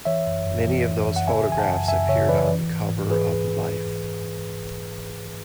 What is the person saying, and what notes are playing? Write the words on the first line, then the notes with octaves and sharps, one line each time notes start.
Many of those photographs appeared on the cover of "Life".
E3 C#5 E5
F#2
F#2
E3
E3
F#2
F#5
C#3 E5 G#5
E3 G#5
F#5 A5
F#2
F#2 E5 G#5
C#3 C#5 E5
E3 B4 D5
E3
G#2
G#2
E3 G#4 B4